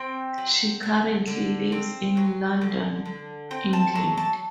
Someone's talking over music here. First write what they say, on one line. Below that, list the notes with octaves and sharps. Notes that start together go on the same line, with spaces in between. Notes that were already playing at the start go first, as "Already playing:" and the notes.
She currently lives in London, England.
Already playing: C4 G5
F#3
D3
D3
C4
F#3
D3
D3
C4 G5
A5
F#3 A5
A5